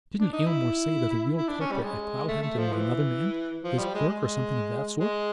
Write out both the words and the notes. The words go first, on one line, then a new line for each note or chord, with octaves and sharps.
"Didn't Aylmore say that the real culprit at Cloudhampton was another man--his clerk or something of that sort?"
D4
D#4
E4
E4
D4
C#4
G3
G#3
A3
A3
F3
E3
F3
G3
G#3
G#3
G#3